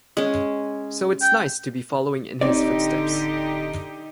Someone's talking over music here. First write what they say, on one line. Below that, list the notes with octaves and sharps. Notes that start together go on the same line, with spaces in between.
So it's nice to be following in his footsteps.
G#3 C#4
G5
D1 D3 C4 D#4 G4 C#5 D5